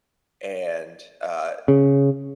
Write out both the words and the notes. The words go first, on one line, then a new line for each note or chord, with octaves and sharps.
and, uh,
C#3